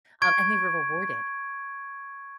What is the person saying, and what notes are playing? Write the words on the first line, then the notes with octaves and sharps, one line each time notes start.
Um, and they were rewarded
C#6 G#6 D7